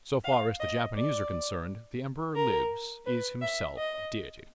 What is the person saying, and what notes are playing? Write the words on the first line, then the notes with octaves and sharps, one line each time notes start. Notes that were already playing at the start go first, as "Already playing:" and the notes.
So far as the Japanese are concerned, the Emperor lives, is himself deity.
F5
D#5
D5
A#4
B4
E5
D#5